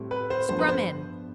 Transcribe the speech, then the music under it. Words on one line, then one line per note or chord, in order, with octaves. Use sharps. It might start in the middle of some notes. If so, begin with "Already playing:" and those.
Scrum in.
Already playing: A2 G3 C4
B4
C5
G2 F3 B3 C5
B4
C5